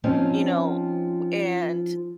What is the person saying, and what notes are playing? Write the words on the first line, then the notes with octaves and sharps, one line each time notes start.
you know, w and,
F3 C4 C#4 D#4